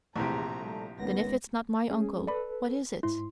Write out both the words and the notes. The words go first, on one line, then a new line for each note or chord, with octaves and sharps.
"Then if it's not my uncle, what is it?"
A#1 E2 A2 C3 A#5
G3 A3
C#2 D#3 B3 A#6
G#3 C#4 G#4
A4 B4 D5 B5
G#2 E4 C6